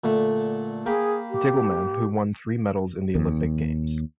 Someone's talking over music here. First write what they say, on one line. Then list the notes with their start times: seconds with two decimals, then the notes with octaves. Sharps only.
Diggelmann who won three medals in the Olympic Games.
0.04 A#2 D3 A3
0.86 A#3 G#4 G5 B5
1.30 G4
3.15 D#2